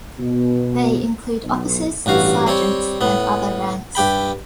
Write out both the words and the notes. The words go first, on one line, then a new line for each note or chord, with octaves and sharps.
They include officers, sergeants and other ranks.
B2
B1
A1 G2 F#4 F5
G3 C4 C#5
A2 B3
G2 G4 G5 B5